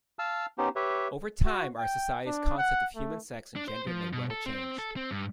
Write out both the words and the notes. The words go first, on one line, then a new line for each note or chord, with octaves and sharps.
Over time, our society's concept of human sex and gender may well change.
F5 A5 E6 F6
B3 C#4 D#4 G4 C5
G4 B4 C#5 E5
F#4
G5
D4
F#5
A3
D4
C5
F3
B2
A4
C4
A4
C4
G2